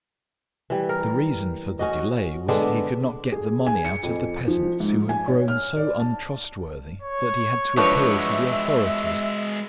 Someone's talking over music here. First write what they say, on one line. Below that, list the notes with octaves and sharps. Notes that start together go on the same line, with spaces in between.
The reason for the delay was that he could not get the money out of the peasants, who had grown so untrustworthy that he had to appeal to the authorities.
E3 G3
A#4
C#4 F#4 D#5
D3 G#3 B3 D4
G#4
G#5
C#7
F2
F3
G#2
G#5
C#5
F6
D5
A5
C#5
F3 G#3 D4 F#4 B4 C#5 E5